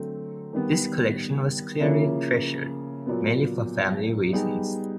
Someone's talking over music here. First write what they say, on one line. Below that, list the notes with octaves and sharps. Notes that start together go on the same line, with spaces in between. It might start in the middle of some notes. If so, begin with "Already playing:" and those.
This collection was clearly treasured, mainly for family reasons.
Already playing: D3 F#3 A3 C4
D#3 G3 B3
C#3 F3 A#3 C#4 E4
A#2 F#3 B3
G3 B3 D#4 G#4